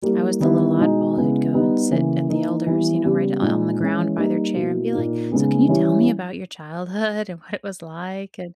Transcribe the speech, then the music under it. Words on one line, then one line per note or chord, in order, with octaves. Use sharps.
I was the little oddball who'd go and sit at the elders, you know, right o on the ground by their chair and be like, "So can you tell me about your childhood and what it was like?" And
G3 A#3 E4
D#3 G3 B3 E4
B2 G#3 D#4
C#3 G#3 B3 E4
G3 B3 D#4
C#3 E3 A#3
E3 A#3 D#4
E3 G3 B3 E4
C#3 G3 B3
A#2 G#3 D#4
E3 G#3 C#4
G3 A#3 D#4
B2 A#3 E4
A#2 A#3 D#4
C#3 G#3 B3 D#4
E3 G3 C#4 E4